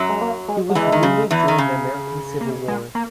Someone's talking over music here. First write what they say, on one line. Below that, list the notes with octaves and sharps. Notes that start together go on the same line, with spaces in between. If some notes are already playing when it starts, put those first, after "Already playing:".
He was wounded during the American Civil War.
Already playing: F#2 F#3
G#3
A#3
G#3
F#3
E2 E3 G#3
D#3
C#3
E2 E3
D#3
C#3
A#3
G#3
A#3